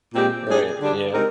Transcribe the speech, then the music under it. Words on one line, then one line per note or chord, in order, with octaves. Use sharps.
Right, yeah.
A#2 G#3 C4 G4
G3 D4 G#4
D3 G3 D4
G#3 C4 D#4 G4 A#4